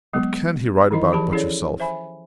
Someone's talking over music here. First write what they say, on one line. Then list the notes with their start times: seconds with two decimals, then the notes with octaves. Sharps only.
What can he write about, but yourself?
0.13 F#3 G#3 B3
0.91 D#3 E3 D#4 E4 D#5
1.12 E3 F3 G4 G#4 A5 B5
1.32 C#4 E4 G#4 A4 C#5 D5
1.80 C5 E5 G#5 B5